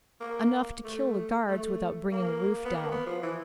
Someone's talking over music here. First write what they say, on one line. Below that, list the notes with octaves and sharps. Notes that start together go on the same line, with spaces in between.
Enough to kill the guards without bringing the roof down.
A#3
A3
A3
A#3
B3
A#3
B3
F3
E3